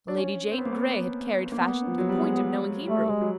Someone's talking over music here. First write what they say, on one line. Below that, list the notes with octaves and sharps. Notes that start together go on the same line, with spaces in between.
Lady Jane Grey had carried fashion to the point of knowing Hebrew.
D4
C#4
C4
B3
A#3
B3
A#3 B3
F3
F#3
G3
G#3
G3 A3
G#3
F#3